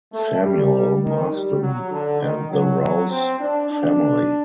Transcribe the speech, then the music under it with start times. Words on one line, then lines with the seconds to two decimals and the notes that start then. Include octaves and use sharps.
Samuel Marsden and the Rouse Family.
0.13 A3
0.42 G3
1.02 D#3
1.31 G3
1.61 F#3
1.91 D3
2.20 D#3
2.50 F#3
2.80 F#3
3.10 C4
3.39 D4
3.70 D4